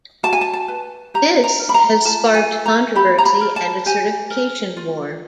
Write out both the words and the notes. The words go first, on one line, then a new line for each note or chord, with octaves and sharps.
This has sparked controversy and a certification war.
F#4 A5
G#5
A5
A5
B4
G4 A#5
A#5
A#4
B5
A#5
F4 A5
G#5
A4
A#5
G4 B5
A#5
B5
A#4
A5
G4 G#5
A#4
F4